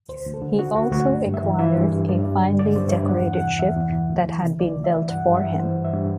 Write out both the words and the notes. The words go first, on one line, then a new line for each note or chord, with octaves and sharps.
He also acquired a finely decorated ship that had been built for him.
D2 C5
D2
A4
D3
D3 F#4
D2 F#4
D2 F#4
G2
G2
E5
E3
E3 E5
G2
G2
G2 D5
G2
D3
D3 D5
G2 C5
E5
G2 D5
E2 F#5
E3
F#5
C3
E2 E5
E2
E3
D2
E3
C3
D2 D5
D2
E5
E3
G2 F#5
G2
E5
E3
E3 C5
G2
E5
G2